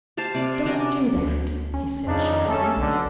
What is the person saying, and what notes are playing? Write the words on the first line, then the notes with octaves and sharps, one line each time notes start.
"Don't do that!" he said sharply.
G4 C5 F5 A5
C3 D5 D6
C#4 D4 F#4 A#4
D2
C#4
F2 C#3 D4 D#4
A3 C#4 A4
B1 D3